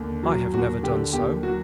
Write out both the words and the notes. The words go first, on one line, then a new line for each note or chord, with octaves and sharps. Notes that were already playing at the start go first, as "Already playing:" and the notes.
"I have never done so."
Already playing: D#2 D3
F#3
D#2 F#4
D3 G4
D#2 G4
F#3 F#4